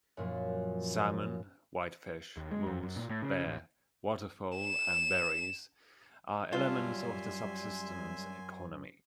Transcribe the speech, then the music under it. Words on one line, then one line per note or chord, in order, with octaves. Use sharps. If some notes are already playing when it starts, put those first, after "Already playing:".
Salmon, whitefish, moose, bear, waterfowl and berries are elements of the subsistence economy.
F#2 A#2 F3
D#2
G#3
F2
F#2
A#2
A2
C#3
A1
E7
F#2 G3 F4 E5 G#5 A5 C6